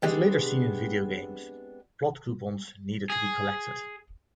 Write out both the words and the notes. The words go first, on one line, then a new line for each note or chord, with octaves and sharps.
As later seen in video games, "plot coupons" need to be collected.
G#3 B3 C4 D4 G4 G#4
G#4